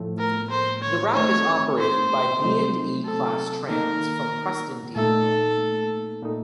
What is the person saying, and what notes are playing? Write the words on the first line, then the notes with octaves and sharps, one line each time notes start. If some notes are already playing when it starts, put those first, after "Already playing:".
The route is operated by B and E class trams from Preston depot.
Already playing: A2 F3 A3
A#4
C5
C#5
D#3 A3 C4 D#4 C#5
C5
C3 F#3 A3 C4 D#4
A4
D#3 A#3 D#4 A#4
A#2 A3 D#4 A4
A#2 A3 D#4